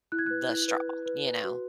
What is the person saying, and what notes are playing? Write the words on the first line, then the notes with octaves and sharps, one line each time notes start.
the straw, you know?
E4 F#6
G#6
B4 F#6
E4
B4
B4
B4
B4
F#4